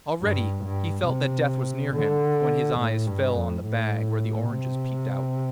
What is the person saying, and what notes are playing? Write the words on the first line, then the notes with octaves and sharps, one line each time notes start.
Already he felt that death was near him, when his eyes fell on the bag where the oranges peeped out.
G2
G2
C3
D3
A2
G2
F2
A2
C3